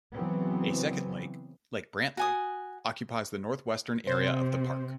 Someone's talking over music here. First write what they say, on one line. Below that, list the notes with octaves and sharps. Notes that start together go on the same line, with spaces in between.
A second lake, Lake Brantley, occupies the northwestern area of the park.
C#3 E3 F#3 B3 C4
F#4 G#5 D#6
C3 C5